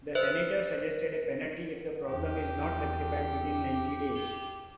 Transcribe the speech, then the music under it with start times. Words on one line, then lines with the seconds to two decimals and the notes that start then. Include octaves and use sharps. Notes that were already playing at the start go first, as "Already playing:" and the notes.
The Senator suggested a penalty if the problem is not rectified within ninety days.
0.15 B4 C5 E5 F#6
2.08 E2 G4